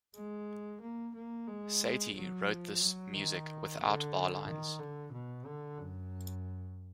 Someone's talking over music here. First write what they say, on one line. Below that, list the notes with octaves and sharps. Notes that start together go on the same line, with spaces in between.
Satie wrote this music without bar-lines.
G#3
A#3
A#3
G#3
F#3
F3
F#3
D#3
D3
D#3
D3
B2
D3
F#2